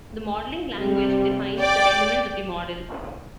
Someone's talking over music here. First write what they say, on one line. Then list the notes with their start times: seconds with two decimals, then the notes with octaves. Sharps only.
The modeling language defines the elements of the model.
0.77 C3 G3
1.60 D5 G5